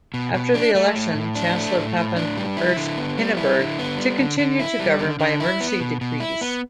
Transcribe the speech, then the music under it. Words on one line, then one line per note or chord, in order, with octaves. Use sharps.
After the election, Chancellor Papen urged Hindenburg to continue to govern by emergency decrees.
B2
B2
D4
A3
A2
A2
D4
A3
A2
A2
D4
G3
E4
D3
B3
G3
E4
D3
B3
G3
D3
D3
E4
G3
D3
D3
E4
B3
B2
B2
E4
B3